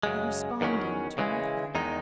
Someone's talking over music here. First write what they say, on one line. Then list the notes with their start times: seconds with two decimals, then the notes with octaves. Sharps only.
He responded to nothing.
0.03 F#2 C#3 G#3
0.61 E2 D#3 F#3 C#4
1.18 C#3 E3 G#3
1.75 E2 D#3 G#3 D#4